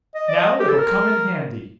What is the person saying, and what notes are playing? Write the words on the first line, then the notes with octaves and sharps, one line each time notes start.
Now it'll come in handy.
D#5
D5
D#5
G4
A4
A#4